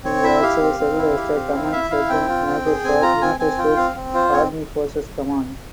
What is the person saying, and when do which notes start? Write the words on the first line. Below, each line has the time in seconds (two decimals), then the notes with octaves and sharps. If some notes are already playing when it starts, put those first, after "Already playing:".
He also served as the command sergeant major for United States Army Forces Command.
0.04 C4 C#5
0.23 E4 E5
0.42 G4 F5
0.61 C4
0.79 C4
0.98 E4
1.17 G4
1.35 C4
1.54 E4
1.72 E4 E5
1.91 E4 F5
2.09 C4 G5
2.28 F4
2.47 C4
2.66 G#4
2.84 C4 G#5
3.02 F4 A#5
3.22 C4 G#5
3.39 C4 G#5
3.58 F4 G5
3.77 C4 F5
3.96 C4
4.14 F4 C5
4.33 C4 C#5